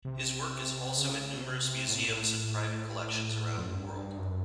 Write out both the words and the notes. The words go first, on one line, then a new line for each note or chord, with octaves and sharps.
His work is also in numerous museums and private collections around the world.
C3
C#3
B2
C3
A2
A#2
A2
F2
F#2
G2
F#2